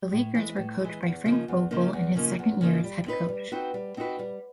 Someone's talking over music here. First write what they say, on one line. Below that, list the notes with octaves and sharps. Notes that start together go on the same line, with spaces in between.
The Lakers were coached by Frank Vogel in his second year as head coach.
A2
E3 G#3
A2
E3 G#3
E2
C#3 F3 A#3 D#4
E2
C#3 F3 A#3 D#4
E2
C#3 F3 A#3 D#4
E2
C#3 F3 A#3 D#4
G3
C4 D#4 F#4 B4
G3
C4 D#4 F#4 B4
G3
C4 D#4 F#4 B4
G3